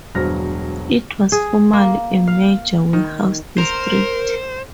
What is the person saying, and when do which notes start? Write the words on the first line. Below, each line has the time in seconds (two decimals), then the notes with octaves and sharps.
It was formerly a major warehouse district.
0.15 E1 G2 F#3 C5 F6 A#6
1.32 G#4
1.73 A#3
2.27 F5
2.93 D#3
3.58 A#4 C5